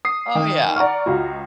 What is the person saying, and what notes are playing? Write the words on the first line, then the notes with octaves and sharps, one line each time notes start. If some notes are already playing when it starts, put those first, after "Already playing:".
Oh, yeah.
D#6 C7
D#3
D5 F#5 A#5 C#6 F6
C#2 F4 F#4